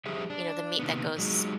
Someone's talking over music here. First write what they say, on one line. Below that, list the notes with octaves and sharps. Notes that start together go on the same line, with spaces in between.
you know, the meat that goes
F3 G3 G4 G#4 C5 E5
D4
C3 D#3 A#3 B3
F#3 G#3 D#4